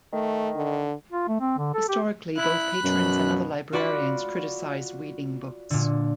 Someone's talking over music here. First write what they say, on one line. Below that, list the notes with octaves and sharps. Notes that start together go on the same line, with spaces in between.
Historically, both patrons and other librarians criticize weeding books.
D#3 A3
D3
F4
A3
C4
D3
A4
G4
E4 B5 F#6
F#2 B2
F4 F#4 D5 F#5 B5
A#2 D3